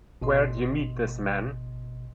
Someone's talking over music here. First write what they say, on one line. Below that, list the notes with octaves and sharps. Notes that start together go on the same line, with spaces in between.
Where'd you meet this man?
G#1 B2 D#5 C6